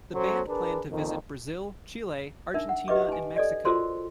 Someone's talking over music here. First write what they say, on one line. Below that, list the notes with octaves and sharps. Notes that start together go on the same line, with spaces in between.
The band planned to visit Brazil, Chile, Argentina and Mexico.
F#3 C#4 A4 C5
D4 G#4 A#4 B4
F2 A#2 D#3
D4 D#4 A#4 E5
F#5
G4 B4 D#5 E5 D6
D#4 G#5
A4 D5 D#5
F4 F#4 A4 A#4 C5 C6